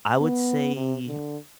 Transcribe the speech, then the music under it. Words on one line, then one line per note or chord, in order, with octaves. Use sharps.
I would say
B3
C3
D3